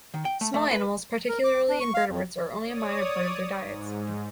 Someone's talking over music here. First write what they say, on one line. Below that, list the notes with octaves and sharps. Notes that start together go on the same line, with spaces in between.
Small animals, particularly invertebrates, are only a minor part of their diets.
D#3
G5
A3
A3
B4
A#4
D6
D4
C#6
F5
F2
C#5 D5 D#6
G#2